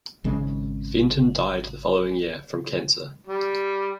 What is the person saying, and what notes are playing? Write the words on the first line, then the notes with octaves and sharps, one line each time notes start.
Fenton died the following year from cancer.
G#1 C#3 G#3
G3